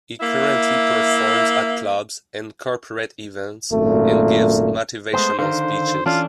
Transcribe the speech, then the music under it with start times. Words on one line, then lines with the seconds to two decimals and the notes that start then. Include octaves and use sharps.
He currently performs at clubs and corporate events and gives motivational speeches.
0.21 A#3 E4 E5
3.72 G#1 F#2 A#2 A3
5.13 G#3 A3 B3 C5
5.39 D3 D#3 C5 F5
6.06 E3 C#4 D4 F4 A4